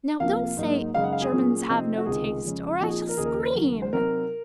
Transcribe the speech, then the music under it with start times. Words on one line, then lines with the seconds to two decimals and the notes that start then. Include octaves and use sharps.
Now don't say 'Germans have no taste,' or I shall scream.
0.20 C2 C3 F3 A#3 F5
0.57 G#2 F#3 A#3 D#4
0.94 F#2 C#3 G#3 D#4 F5
1.04 F#5
1.13 F5
1.22 G#4
1.32 A#2 F#3 C#4
1.69 C3 F3 C4 D#4
1.98 F#4
2.06 C#2 C3 D#3 G#3 G#4
2.43 F2 C#3 G#3 C#4
2.80 A#2 F3 C4 D#4 F#4
2.90 G#4
3.09 A#4
3.17 D#2 C#3 F3 A#3 D#4 G#4
3.25 A#4
3.55 D#2 C#3 F#3
3.82 C5
3.92 C3 F#3 C4 D#4 A#4